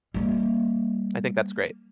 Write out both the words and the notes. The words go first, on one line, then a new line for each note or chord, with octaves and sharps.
I think that's great.
G3 A#3